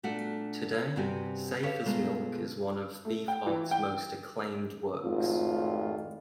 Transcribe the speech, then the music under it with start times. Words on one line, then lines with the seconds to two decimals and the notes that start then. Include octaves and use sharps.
Today, "Safe as Milk" is one of Beefheart's most acclaimed works.
0.03 A#2 A3 D4 F#4 F#5
0.96 G2 C3 C4 F#4 G4 G#5
1.63 G4 A4 B4 C#5 E5 F5
1.86 B2 G#3 A3 F4 A#4
3.05 A3
3.28 G5
3.46 E3
3.71 G5
5.02 G#1 F2 A2 F4